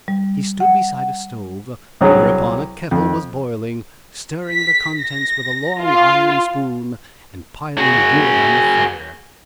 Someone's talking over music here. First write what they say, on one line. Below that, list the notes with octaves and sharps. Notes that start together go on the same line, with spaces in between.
He stood beside a stove--whereupon a kettle was boiling--stirring the contents with a long iron spoon, and piling wood on the fire.
G3
F#5
F#5
C2 F#3 G#4 C#5
F2
B6
A#6
F4
F#4 G#4